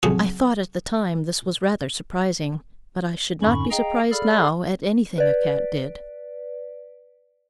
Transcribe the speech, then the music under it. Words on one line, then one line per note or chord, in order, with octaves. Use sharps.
I thought at the time this was rather surprising; but I should not be surprised now at anything a cat did.
F2 C#3 F#3 F#4 D#6
F2 G#2 D3 C#4 B5 C#6
G#4 D#5 F5 G5 A#5
G#4 A4 D5 F5 B5 F6
B4 D5